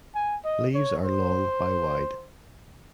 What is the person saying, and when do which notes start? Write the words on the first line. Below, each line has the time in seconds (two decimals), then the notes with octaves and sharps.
Leaves are long by wide.
0.15 G#5
0.45 D#5
0.74 C#5
1.04 C5